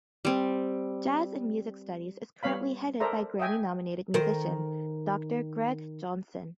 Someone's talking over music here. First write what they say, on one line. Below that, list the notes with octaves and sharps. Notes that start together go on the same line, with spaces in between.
Jazz and music studies is currently headed by Grammy nominated musician, Doctor Greg Johnson.
G3 C4
G3 B3 C#5 F5 B5
A4 A#4 C5 D5 E5 A#5
D#5 E5 G5 G#5
D#3 A#4 C5